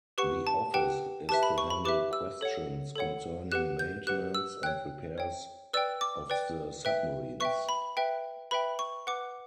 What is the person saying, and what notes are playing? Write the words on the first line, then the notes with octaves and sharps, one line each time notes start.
The office is to handle questions concerning maintenance and repairs of the submarines.
G4 B4 F#5 C#6
A5
G4 B4 F#5 G5
G4 B4 E5 A5
B5
C#6
B5
G4 B4 E5 D6
E6
A4 C#5 F#5
A4 C#5 F#5
G4 B4 F#5 F#6
G6
G4 B4 F#5 F#6
E6
C#5 G5 F#6
C#5 G5
B4 D5 G5 E6
D6
B4 D5 G5
B4 E5 G5
B4 E5 G5 C#6
B5
B4 E5 G5
B4 E5 G5 B5
C#6
B4 F#5 D6